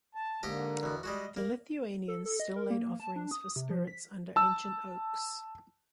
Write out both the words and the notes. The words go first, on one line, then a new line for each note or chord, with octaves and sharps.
The Lithuanians still laid offerings for spirits under ancient oaks.
A5
G#2 D3 A#3 G4 D#5
E2 B2
G3 G#3 F#4 D#5
F2 A#3
A4
A4
D#5
A#4
A#3
A5
D4
D#6
C3
F3
B6
A5 E6